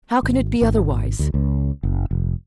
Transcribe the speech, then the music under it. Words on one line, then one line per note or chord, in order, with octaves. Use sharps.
How can it be otherwise?
G#1
G#1
D2
C#2
F#1
F1